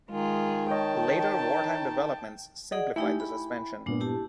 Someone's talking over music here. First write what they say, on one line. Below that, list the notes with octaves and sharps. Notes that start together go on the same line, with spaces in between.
Later wartime developments simplified the suspension.
D#3 G#3 F4 G#4
C#5 D#5 G5 A5
G#4 D5 D#5 F#5
A3 D#4 E4 G4 G5 G#5
B5
G2 A#2 G#3 B3 D4
E4 G4 A5